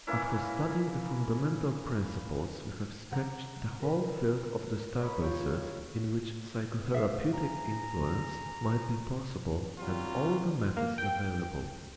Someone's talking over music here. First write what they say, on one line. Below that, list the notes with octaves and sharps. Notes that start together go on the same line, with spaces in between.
After studying the fundamental principles, we have sketched the whole field of disturbances in which psychotherapeutic influence might be possible and all the methods available.
E3 A#3 C#4 E4
C3 F#5 A#5
A#4 B4
C#5 D#5 A#5 B5
F4 G4 C#5
E2 B3 C4
D2 A3 E5 F5
G#4 B4 A#5
D#3 F#3 G3 B3 C4 F4
A#3
G5